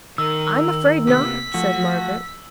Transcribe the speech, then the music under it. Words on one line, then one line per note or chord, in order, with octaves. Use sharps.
'I'm afraid not,' said Margaret.
D#3 A#4 E6
C3 A#3 B3 B6
F3 A3 F#4